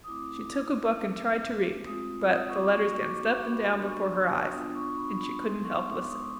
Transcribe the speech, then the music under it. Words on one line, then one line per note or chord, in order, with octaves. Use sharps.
She took a book and tried to read, but the letters danced up and down before her eyes, and she couldn't help listening.
D#6
A3 C4 E4 D6
A3 C4 D#4
G#3 C4 F4 D#6
D#6
C#6
D6
A#3 D#4 F#4 C#6
C#6
D6
C#6
B5
C6
G3 B3 D4 F#4 B5
C#6
D#6
D#6
B3 D4 F4 D#6
C#6
B5
B5
G#3 B3 D#4 C6
C#6
D6
D#6